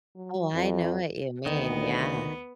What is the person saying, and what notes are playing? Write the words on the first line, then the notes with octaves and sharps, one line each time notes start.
Oh, I know what you mean, yeah.
F#3
F2
D2 D#3 B3